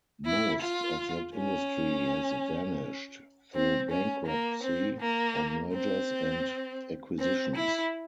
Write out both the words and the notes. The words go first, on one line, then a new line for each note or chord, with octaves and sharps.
Most of that industry has vanished through bankruptcy or mergers and acquisitions.
E4
F4
C#4
C4
C#4
A#3
C4
A#3
C4
C4
E4